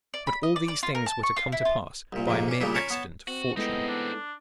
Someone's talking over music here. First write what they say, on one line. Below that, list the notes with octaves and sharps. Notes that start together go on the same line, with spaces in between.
But all these things were to come to pass by a mere accident of fortune.
D5
B5
D#5
D5
D5
F4
A#4
A5
C#6
F4
E4
F4
C2 A#2
F2 G#2 C3 A#3
C#4 D4
A#2 C#3 G3 A3 D4 E4
C#4 A#4 C#5 A5 B5 C#6
B3 C#5 A5
C4 F#4
G#3 A3 B3 C4 D#4 E4 D#5
D4